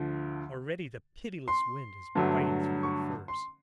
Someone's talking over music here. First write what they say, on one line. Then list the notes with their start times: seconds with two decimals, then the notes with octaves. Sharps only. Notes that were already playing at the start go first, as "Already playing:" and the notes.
Already the pitiless wind is biting through their furs.
Already playing: D2 D3 F3
1.48 C6
2.15 G2 D3 F#3 A3
2.83 C#6
3.28 C6